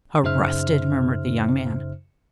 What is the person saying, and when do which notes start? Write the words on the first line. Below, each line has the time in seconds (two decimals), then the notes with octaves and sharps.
"Arrested!" murmured the young man.
0.23 F#2 C#3 D#4 C5 E5 F6